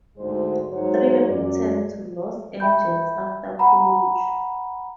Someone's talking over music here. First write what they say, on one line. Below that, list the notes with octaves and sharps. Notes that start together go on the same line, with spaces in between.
Tree returned to Los Angeles after college.
D2 G#2 G#3 C5
G#2 F#3 C5 C#5
F#2 D5
E5 G5 B5 G6
F#5 A#5 B5